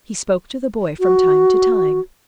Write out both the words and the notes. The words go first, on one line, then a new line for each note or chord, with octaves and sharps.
He spoke to the boy from time to time.
F#4